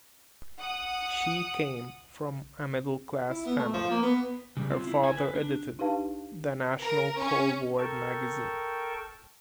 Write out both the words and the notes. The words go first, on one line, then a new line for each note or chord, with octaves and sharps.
She came from a middle-class family; her father edited the National Coal Board magazine.
F#5 D#6
E4
B3
A3
F3
A#3
B3
C#3 G3
C4 F4
E4
C5 G#5
B4
D4
D4 D#4 G4 B4 F5 A5
A#4
C#4
A4 A#4 G5 A5 C#6